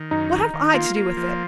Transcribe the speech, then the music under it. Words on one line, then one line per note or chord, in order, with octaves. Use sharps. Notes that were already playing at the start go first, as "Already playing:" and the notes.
What have I to do with it?
Already playing: D#3
F#2 D#4
D#3
D#3
A#3 F4
A#3
F3